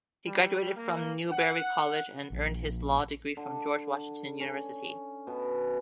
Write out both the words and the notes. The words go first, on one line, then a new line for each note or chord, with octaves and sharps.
He graduated from Newberry College and earned his law degree from George Washington University.
G3
A#3
F#5
A#1
D3
C#4
B2